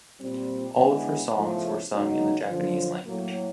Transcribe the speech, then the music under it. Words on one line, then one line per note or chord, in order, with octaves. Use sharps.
All of her songs were sung in the Japanese language.
A#2 G3 C4
C#3 E3 G#3 B3 D4
E2 C#3 F3 A3
F#2 C#3 F#3 A#3 D#4
F#2 D3 F3
A2 F#3 A#3